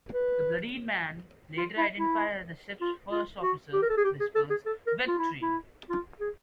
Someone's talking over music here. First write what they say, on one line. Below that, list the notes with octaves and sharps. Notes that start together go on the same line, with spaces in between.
The bloodied man, later identified as the ship's first officer, whispers, Victory!
B4
F4
E4
E4
F4
F4
F#4
G4
A#4
A4
G#4
G4
G#4
A4
G#4
A4
A#4
F4
E4
E4
F4
G#4